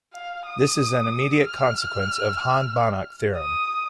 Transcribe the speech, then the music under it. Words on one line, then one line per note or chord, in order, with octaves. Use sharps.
This is an immediate consequence of Hahn-Banach theorem.
F5
D#6
F6
D#6